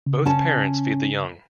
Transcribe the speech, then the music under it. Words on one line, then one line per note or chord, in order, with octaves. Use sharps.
Both parents feed the young.
C#3
C#4 A5